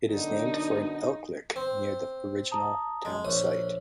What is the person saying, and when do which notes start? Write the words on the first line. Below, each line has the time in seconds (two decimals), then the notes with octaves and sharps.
It is named for an elk lick near the original town site.
0.12 F#2 B2 D3 D#4
1.56 C4
2.51 A5 A#5 D#6
3.05 G#3
3.25 A#1 C#5 D#6